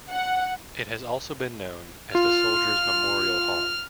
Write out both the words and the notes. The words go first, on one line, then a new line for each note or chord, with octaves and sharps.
It has also been known as the "Soldiers' Memorial Hall".
F#5
F4 F6